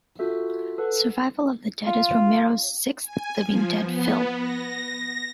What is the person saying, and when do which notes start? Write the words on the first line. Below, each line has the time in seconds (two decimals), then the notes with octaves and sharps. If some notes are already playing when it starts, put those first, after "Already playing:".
"Survival of the Dead" is Romero's sixth "Living Dead" film.
0.19 F4 F#4 A4 E5
0.78 A4 B4 F#5
1.86 F4
3.03 G#5
3.43 F3
3.81 B3
4.38 A#6